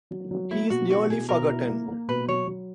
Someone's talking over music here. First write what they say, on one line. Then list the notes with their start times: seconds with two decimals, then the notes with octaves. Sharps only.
He is nearly forgotten.
0.11 F#3
0.31 F#3
0.51 A#3 E4
0.70 B2 F#4
0.90 E4 F#4
1.10 B2 G#4
1.29 B2 A#4
1.49 E4
1.69 A#3
1.88 A#3
2.08 B2 B4
2.28 F#3 C#5
2.47 F#3